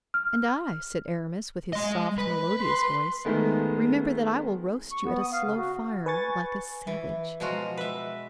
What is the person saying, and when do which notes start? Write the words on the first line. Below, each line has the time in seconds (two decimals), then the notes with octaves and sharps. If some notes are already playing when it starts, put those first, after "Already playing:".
"And I," said Aramis, with his soft, melodius voice, "remember that I will roast you at a slow fire, like a savage."
0.14 F6
1.73 G#3 D#5
2.18 B4
2.62 C6
3.25 D#3 G#3 A3 B3
4.92 C#6
5.05 B3
5.21 D#6
5.33 F5
5.45 C#3
5.57 F#4
6.06 B4 G#5 C#6 A6
6.87 E3
7.40 B2 F3 G#3 F4 F#4 A#5
7.77 B4 E5